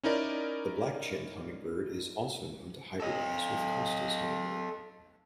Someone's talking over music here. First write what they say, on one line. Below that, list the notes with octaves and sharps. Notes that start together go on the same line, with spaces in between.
The black-chinned hummingbird is also known to hybridize with Costa's hummingbird.
C#4 D#4 E4 A#4 D5
A4 D#5